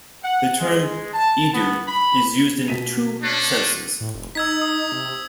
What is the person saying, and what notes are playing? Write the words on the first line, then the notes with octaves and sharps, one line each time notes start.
The term "idu" is used in two senses.
F#5
G#3
A5
B3
B5
B2 B6 D#7
C#4 D4
A2
F1
D#4 E6 G#6 B6
D#6
C3